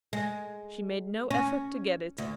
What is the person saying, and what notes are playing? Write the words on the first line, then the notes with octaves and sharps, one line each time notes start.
She made no effort to get it.
G#3
C#4
D2